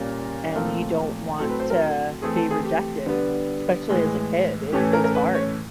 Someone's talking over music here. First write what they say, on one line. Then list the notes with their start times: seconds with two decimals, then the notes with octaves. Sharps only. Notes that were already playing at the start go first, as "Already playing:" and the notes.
and you don't want to be rejected, especially as a kid, it's it's hard.
Already playing: A#2 G3 A#3 C#4
0.56 A#2 F3 A3 C4 A#4
1.39 A2 F#3 A3 C4 A4
1.50 B4
1.60 C5
1.70 A#4
2.22 E3 A3 C4 G#4
2.36 A4
2.50 G#4
2.64 G4
3.06 D3 G3 B3
3.89 A2 E3 G#3
4.72 A2 E3 A3 C#4 G4
4.93 A#4
5.04 A#4
5.15 B4
5.35 C#5